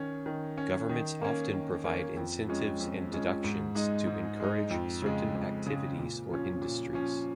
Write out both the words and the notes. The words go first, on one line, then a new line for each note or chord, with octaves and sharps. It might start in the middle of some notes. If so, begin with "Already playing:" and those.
Governments often provide incentives and deductions to encourage certain activities or industries.
Already playing: D#3 C#4
D#3
C#4
D#3
A#3 C#4
D#3
A#3 C#4
F2
F3 G#3 C#4
F2
F3 G#3 C#4
G#2
G#3 D#4
G#2
G#3 D#4
F2
C#3 G#3
F2
C#3 G#3
A#2
F3 C#4
A#2
F3 C#4